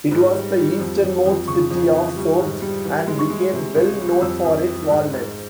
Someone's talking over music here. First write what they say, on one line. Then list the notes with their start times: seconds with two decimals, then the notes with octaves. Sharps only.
It was the easternmost city of Soghd, and became well known for its walnuts.
0.11 G#2
0.33 G3
0.57 G3
0.80 F2
1.02 F2
1.25 F2
1.48 C#3 C#6
1.71 F2
1.93 E3
2.16 G3
2.39 G#2
2.62 G3
2.85 E3
3.07 G#3
3.19 C#6
3.30 G#3
3.53 C3
3.76 C#2
3.99 G3
4.21 F2 E6
4.44 F2
4.67 E3
4.90 G#2
5.13 G#2